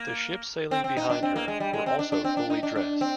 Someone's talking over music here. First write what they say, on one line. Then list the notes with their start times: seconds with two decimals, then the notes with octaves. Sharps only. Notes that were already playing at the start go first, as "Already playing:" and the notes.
The ships sailing behind her were also fully dressed.
Already playing: A#3
0.71 C4
0.84 C4
0.97 D#4
1.10 D4
1.23 C4
1.36 A#3
1.48 G#3
1.60 G3
1.73 G#3
1.86 C4
1.99 D4
2.12 D4
2.24 C4
2.37 D4
2.50 D#4
2.63 D4
2.76 D4
3.01 C4